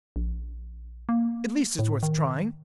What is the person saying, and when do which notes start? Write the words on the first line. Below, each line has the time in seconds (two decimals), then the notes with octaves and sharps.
At least it's worth trying.
0.16 A#1
1.09 A#3
1.79 A2
2.03 D#3